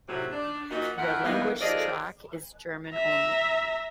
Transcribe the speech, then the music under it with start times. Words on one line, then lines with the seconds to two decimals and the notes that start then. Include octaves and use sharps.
The language track is German only.
0.08 A2 C3 F#3
0.31 D4
0.70 A#2 D#4 F#4
0.97 F2 A#2 E4 A#4 F#5
1.24 G2 D#3 E3 A#3 B3 D#4
1.60 D#2 F3 A#3 G#4 D5 D#5
2.91 E5 A#5